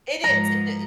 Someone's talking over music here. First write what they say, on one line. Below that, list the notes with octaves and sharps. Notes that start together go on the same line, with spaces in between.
It is, i
G#2 F3 A#5